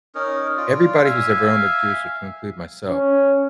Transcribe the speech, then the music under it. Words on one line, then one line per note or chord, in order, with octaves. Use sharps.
everybody who's ever owned a juicer, to include myself,
C#4 D#4 A#4
F4 D5
E5 F5 G#5
C#4